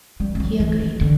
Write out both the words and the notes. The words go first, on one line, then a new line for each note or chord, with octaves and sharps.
He agreed.
G3
F3
F#3
E3
D#3
D3